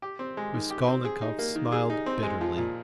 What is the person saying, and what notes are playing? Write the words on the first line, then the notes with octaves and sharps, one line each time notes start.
Raskolnikov smiled bitterly.
G4
C4
G#3
D#3
G4
C4
G#4
D#4
A#3
D#3
G#4
D#4
C4
G#3
F3
A#2